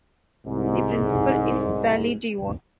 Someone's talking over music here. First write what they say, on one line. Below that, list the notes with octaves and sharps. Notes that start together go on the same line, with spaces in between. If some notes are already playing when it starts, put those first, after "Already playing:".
The Principal is Sali Devon.
C2 G#2